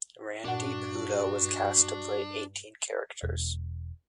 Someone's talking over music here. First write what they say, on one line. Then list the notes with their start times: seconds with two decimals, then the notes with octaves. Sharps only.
Randeep Hooda was cast to play eighteen characters.
0.44 G2 A#2 D4 F#4 F#5
3.23 E1